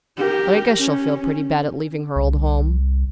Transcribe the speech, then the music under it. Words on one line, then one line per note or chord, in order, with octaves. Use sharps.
But I guess she'll feel pretty bad at leaving her old home.
G4 A#4
C#4
C2